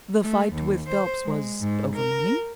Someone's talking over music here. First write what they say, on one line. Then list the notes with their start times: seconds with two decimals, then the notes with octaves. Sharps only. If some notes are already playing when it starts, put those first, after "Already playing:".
"The fight with Phelps was over money?"
0.23 A3
0.53 D#2
0.89 C5
1.24 G#3
1.60 G#2
1.96 A#4